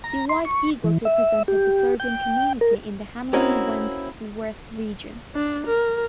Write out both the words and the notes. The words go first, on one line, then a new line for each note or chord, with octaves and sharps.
The White Eagles represented the Serbian community in the Hamilton–Wentworth region.
A#5
C6
C#6
E3
E5
G4
G5
A#4
A#3 C4 C#4 D#4 E4 F#4
D4
A#4